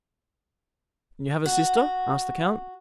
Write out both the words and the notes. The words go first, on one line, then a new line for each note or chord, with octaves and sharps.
"You have a sister?" asked the count.
F#4